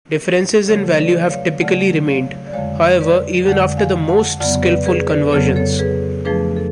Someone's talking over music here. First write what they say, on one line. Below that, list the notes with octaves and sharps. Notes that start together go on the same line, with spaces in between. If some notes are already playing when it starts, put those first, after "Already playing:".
Differences in value have typically remained, however, even after the most skillful conversions.
C#3 F#3 A3 A4 C#5
C#5
B4 D5
C#5 F5
C#3 F#3 A3 D5 F#5
C#5 F5
D5
F2 D3 G#3 C#5 F5
B4 D5
F2 D3 G#3 D5 F#5
F5 G#5
F#5 A5
F2 C#3 F#3 B3 D5 F#5
B4 D5
G#4 B4
B4 D5
F2 C#3 F#3 B3 A4 C#5
A4 C#5
G#4 B4
F2 F3 A3 D4 G#4 B4
A4